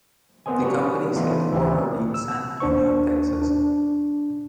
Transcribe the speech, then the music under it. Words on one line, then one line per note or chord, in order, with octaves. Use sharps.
The company is headquartered in San Antonio, Texas.
B3 C4 A#4 C5 D#5 G#5
D4 F#4 G4 A#4 B4 C#5
E3 A3 B3 D4 D#4 F4
D2 E3 C#4 D4
E6
D#2 D4 C5 C#6
D4